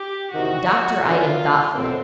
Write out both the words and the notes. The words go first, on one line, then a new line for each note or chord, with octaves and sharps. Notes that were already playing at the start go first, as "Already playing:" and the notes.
The doctor eyed him thoughtfully.
Already playing: G4
E2 C3 D#3 F#4
D3 F#3 B3 D4 F4
B2 F#3 A3 C4